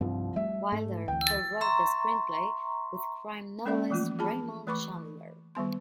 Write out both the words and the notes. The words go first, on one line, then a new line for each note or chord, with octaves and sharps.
Wilder co-wrote the screenplay with crime novelist Raymond Chandler.
C2 G2 F3
G3 A3 E5
G#2 A3
D2 E3 G5
E5 A#5 C6 C#6
G#3 A#3 C#4 A4 D5 E5
E3 F3 A3 A#3 F4
F4 G#4 A5 B5
E3 A3 B4 B5 C#6 D6
D#3 G3 B3 C6